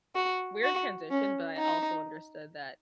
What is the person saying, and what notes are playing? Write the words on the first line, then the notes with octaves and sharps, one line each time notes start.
weird transition, but I also understood that
F#4
F#4
C#4
D#4